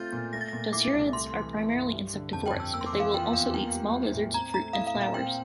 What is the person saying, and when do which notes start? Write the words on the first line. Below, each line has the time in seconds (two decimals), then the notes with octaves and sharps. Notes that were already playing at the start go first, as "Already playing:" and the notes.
Dasyurids are primarily insectivorous, but they will also eat small lizards, fruit, and flowers.
Already playing: A3 C4 F4 F6 G6 A6
0.13 A#2
0.33 A3 A#6
0.41 A6
0.48 A#2 A#6
0.73 E4 D6
0.94 C2
1.13 A3 C6
1.33 E3
1.54 E4
1.73 G2
1.93 G3
2.14 D3
2.33 F2 A5
2.46 G5
2.54 F2
2.60 E6
2.74 A#3 E6
2.81 C6
2.86 D6
2.93 E3
3.00 F5
3.14 F4 G5
3.33 E2 F5
3.54 A#3 G5
3.74 G3
3.93 E4
4.14 A2
4.34 C4 A#5
4.54 A3 A#5
4.73 E4 F5
4.87 F5
4.94 A#2
5.01 F5
5.14 C4 G5